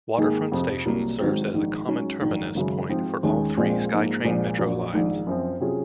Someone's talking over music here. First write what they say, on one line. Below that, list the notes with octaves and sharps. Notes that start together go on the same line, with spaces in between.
Waterfront station serves as the common terminus point for all three SkyTrain metro lines.
G#2 D#3 A#3 D#4 G#4
F2 C3 F3
C2 C3 F#3 A#3
G#1 G#2 F#3 C4
A#1 G#2 D#3
G#2 F#3 C#4
A#1 G#2 D#3 F#3
G#1 F#2 C#3 F#3
G#2 F3 C4
D#2 D#3 G#3 C#4
A#1 A#2 G#3 C4 F4
G#2 F3 A#3
A#1 A#2 F3 G#3
A#1 A#2 F#3
A#1 G#2 D#3
F#2 F3 C4
C3 F#3 C#4 F4 G#4